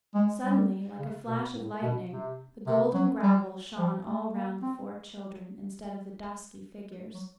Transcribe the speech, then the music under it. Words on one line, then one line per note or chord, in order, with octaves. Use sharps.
Suddenly, like a flash of lightning, the golden gravel shone all round the four children instead of the dusky figures.
G#3
G3
C#3
B2
A2
B2
C3
C3
F#3
G3
F3
A3
A#3
C4
F#3